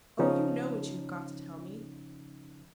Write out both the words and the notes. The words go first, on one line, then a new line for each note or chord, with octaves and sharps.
Oh, you know what you have got to tell me!
C#3 F3 C#4 D#4